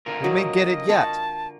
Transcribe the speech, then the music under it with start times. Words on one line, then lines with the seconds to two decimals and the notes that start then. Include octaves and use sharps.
"We may get it yet!"
0.06 D3 F4 A#4
0.24 F#3 D#5
0.89 F5 A5 B5 C#6